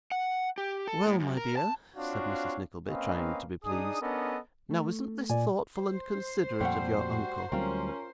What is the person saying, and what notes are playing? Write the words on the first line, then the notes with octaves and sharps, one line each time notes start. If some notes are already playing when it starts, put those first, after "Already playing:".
'Well, my dear,' said Mrs Nickleby, trying to be pleased, 'now isn't this thoughtful and considerate of your uncle?
F#5
G4
A4
A2
F#2
A#4
A5
C4 D4 F4 F#4 C#5 F5
A#3 C4 C#4 B4 D#5 F5
D4 D#4 G#4 D#6
B3 C#4 D4 A4 A#4 D#5
A3
A#2 D5 G#5
C5
F2 A#2 G3 A3 F#5
F#4
D2 F#3 G3 C4 C#4 F4 A#4